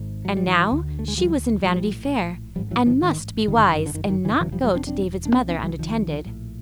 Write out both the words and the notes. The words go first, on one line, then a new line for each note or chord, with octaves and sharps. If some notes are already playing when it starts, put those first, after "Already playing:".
And now she was in "Vanity Fair," and must be wise and not go to David's mother unattended.
Already playing: G#1 G#2
F#3
G3
E3 F#3
D2 D3
A3
G#3
F3 G3
A#1 A2 F3 G3
A1 G#2 F3 G3
E3 F#3
D#3 F3
D#3
G1 F#2 D3 D#3
D3
D#3
E3
D#3
D3 E3
E1 D2 C#3 E3 F#3
F3 G3
F#3 G#3
C4 D4
C4 D4
D4
C2 C3 B3 C#4
C4 D4
F#3 G#3
D#3 F3
A#1 A2